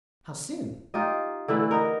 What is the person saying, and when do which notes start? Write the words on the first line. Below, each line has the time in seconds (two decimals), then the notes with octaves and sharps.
"How soon?"
0.94 D#4 F4 G4 D#5
1.48 D3 E3 A3 E4
1.71 B3 D#4 A#4